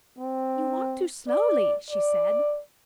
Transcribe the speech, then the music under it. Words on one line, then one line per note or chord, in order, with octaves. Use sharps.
"You walk too slowly," she said.
C4
D5
D5